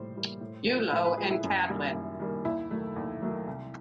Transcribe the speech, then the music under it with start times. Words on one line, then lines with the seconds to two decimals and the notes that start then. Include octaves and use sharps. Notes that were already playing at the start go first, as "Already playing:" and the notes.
Bulo and Cadlit.
Already playing: A2 E3 G3 A#3 C5
0.16 E3 G3 A#3
0.41 A2
0.67 F3 G#3
0.92 A2 B4
1.05 B4
1.17 F3 G#3 G#4
1.30 E4
1.43 F#2
1.69 D#3 G3 A#3
1.94 F#2
2.20 D#3 G3 A#3
2.45 D#2 E4
2.71 D#3 F#3 A3
2.96 D#2
3.21 D#3 F#3 A3
3.47 C2